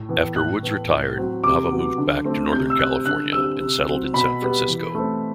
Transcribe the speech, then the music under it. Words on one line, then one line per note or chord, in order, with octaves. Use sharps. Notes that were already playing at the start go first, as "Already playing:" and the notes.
After Woods retired, Nava moved back to Northern California and settled in San Francisco.
Already playing: A2
E3 B3
A2 F#6
E3 B3
A2
F#3 C4
C3 D6
F#3 B3
D3
A3 C4
C3 G6
E6
G3 C4 F#6
D3 F#6
G3 C4 E6
C3
F#3 C4
B2 B5
G3 B3
E3
A3 C4